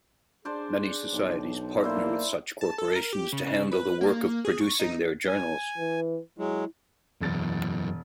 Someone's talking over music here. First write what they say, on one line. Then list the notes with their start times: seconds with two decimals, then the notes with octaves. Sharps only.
Many societies partner with such corporations to handle the work of producing their journals.
0.45 D4 G#4 C5 D5
1.13 B1
1.84 A#3 E4 C5 D5
2.61 A5
2.78 A4
2.96 A#4
3.13 G4
3.32 C#3
3.47 C#3
3.72 B4
4.01 A#3
4.45 G#4
4.61 C#6
4.80 D#4
5.28 G#5
5.78 E3
6.38 F#3 G#3 E4
7.21 E1 F#2 E3 A6